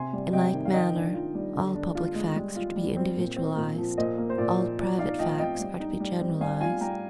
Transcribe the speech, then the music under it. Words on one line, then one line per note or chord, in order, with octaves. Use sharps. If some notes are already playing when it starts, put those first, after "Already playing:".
In like manner all public facts are to be individualized, all private facts are to be generalized.
Already playing: C3 G#5 C6
G3
C3 D#5 G5
D#3
F5
D#3 D#5 G5
D4
F4
G3
D3
D4
F4
G#3
G3
F4
G3
C4
A#2
C4
A#2
F3
A#2 C5 D#5
A#3
C5
A#2 D5
F3
F3 D5
D#4 D5 F5
F3 D#5 G5
C4 D#5 G5
G3
D#4
G3
C4
G3 F5 G#5
F4 F5 G#5
G3 G5 A#5